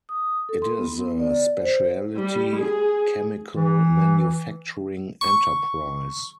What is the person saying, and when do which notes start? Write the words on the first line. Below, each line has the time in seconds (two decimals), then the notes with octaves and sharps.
It is a specialty chemical manufacturing enterprise.
0.09 D#6
0.49 A4
0.62 C6
0.78 B3
1.20 D5
1.59 C5
2.16 G3
2.56 G#4
3.55 E3
5.21 C#6